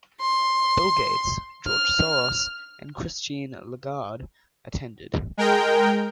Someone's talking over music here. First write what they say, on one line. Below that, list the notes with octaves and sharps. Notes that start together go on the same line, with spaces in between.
Bill Gates, George Soros and Christine Lagarde attended.
C6
F6
G#3 A#4 G5